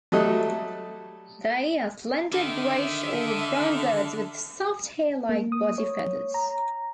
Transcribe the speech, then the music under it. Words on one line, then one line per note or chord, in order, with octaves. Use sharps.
They are slender greyish or brown birds with soft, hairlike body feathers.
F#3 G3 A3 A4 D#5
D3 D#3 E5
A#3
D#6
C#5
A#5